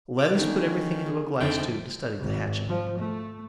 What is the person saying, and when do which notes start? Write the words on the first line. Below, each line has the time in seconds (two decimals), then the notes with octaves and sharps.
Let us put everything into a glass-tube to study the hatching.
0.19 F4 D6 A6
0.35 D3 D#3 B3 C#4 D#4
1.06 G#4
1.41 F2 D3 F3 A3 D#4 G5
2.20 G#1
2.68 F3
2.99 A3